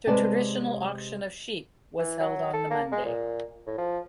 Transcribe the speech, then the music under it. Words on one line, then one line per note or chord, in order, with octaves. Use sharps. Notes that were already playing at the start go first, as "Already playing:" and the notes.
The traditional auction of sheep was held on the Monday.
C3 G#3 B4 D5 A5
E3
F#3
A4
A#3
G#3
A#2
A2
F3